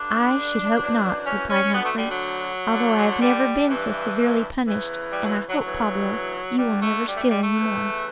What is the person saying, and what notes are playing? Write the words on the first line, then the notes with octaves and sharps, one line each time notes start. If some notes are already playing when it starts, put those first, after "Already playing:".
"I should hope not," replied Humphrey, "although I have never been so severely punished: and I hope, Pablo, you will never steal any more."
Already playing: G2 D3 D4
F#2 E3
C#4
C#4
D2 D3 B3
A3
G3
F#3
E2 D3
G3
G2 E3
E2 C#3 E3
G3
F#3
F#3
D2 C#3 E3 F#3
D2 D3 G3
A3
G3
A3
G3
G3
A3
E2 C#3 E3